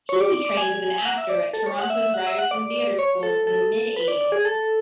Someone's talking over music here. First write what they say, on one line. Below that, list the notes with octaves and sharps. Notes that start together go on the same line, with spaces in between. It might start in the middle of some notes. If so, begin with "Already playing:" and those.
Healey trained as an actor at Toronto's Ryerson Theatre School in the mid -eighties.
C#5
D5
D5
D5
G#5
F#5
E5
D5
A4
C#5
F#5
E5
E5
F#5
E5
F#5
D5
C#5
A4
A4
B4
D5
D5
G#4
A4